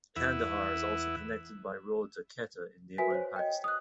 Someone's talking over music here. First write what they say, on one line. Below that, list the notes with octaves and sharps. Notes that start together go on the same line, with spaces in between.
Kandahar is also connected by road to Quetta in neighboring Pakistan.
E2 E4 B4 E5 F#5
F#4 A#4 B4 E5 G#5 B6
C5 C#5
D#5 G5
D#6 F#6